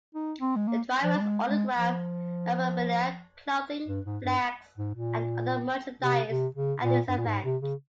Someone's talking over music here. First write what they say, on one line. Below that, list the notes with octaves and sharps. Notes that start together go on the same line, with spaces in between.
The drivers autograph memorabilia, clothing, flags and other merchandise at these events.
D#4
C4
G#3
A#3
F3
G3
G#3
G#3
F3
G2
G#2
G2
G#2
A#2
C3
C3
C#3
A#2
G2
A#2
G#2
C3
C#3